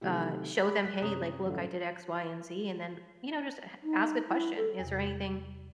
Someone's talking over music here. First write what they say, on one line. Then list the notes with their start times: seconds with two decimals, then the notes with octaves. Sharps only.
uh, show them, "Hey, like, look. I did x, y, and z." And then, you know, just a ask a question. "Is there anything
0.01 C3 D#3 F#3 A3 E4 G4
0.65 B5 D6
0.84 F#6 B6
1.02 F#2 C3 C#5 A#5 D#6
1.46 A1 D3 F3 F#3
3.83 D#4
4.27 E4
4.57 A4
4.79 E2 C3